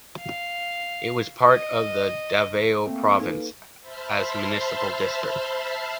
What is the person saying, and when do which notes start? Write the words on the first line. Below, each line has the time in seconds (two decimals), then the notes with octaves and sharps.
It was part of the Davao province as Municipal District.
0.20 F5
1.50 D#5
2.85 A3 A#3 C4
3.20 D#4 A4 B4
3.80 C5 E5 A5 B5 C6 F6